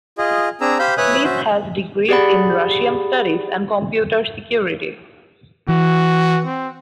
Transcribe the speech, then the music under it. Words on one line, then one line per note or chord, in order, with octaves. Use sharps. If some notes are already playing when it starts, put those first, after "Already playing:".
Smith has degrees in Russian studies and computer security.
F4 G#4 D#5
C4 D4 G#4 A#5 E6
G4 C5 F5 B5 G6
B4 C#5 E5 G#5 D#6 F#6
C#4 F#4 C5 E5
G4 G#4 D5 F#5 B5
E3 F#4
C4